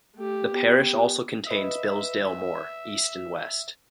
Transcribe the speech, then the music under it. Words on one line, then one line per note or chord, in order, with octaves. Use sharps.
The parish also contains Bilsdale Moor, East and West.
A3 G4
B3 G4
B4 D#5 E5